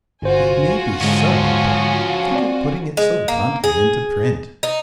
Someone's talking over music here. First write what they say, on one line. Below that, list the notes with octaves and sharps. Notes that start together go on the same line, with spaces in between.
It may be so, but think of putting it so bluntly into print.
G1 F4 F#4 C5 G#5
G#2 D3 F3 G#3 C#4
C4 D5
G#3
A#3
G#4
D#4